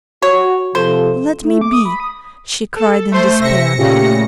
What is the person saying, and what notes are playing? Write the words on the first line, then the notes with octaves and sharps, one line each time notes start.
"Let me be," she cried in despair.
F#4 C#5
C3 F3 A4 C5
A3
D6
D#6
B5
D#6
A4
A3 C5 C6
C3 E5 A#6 C#7
A#2 C#3 A3 F4 G4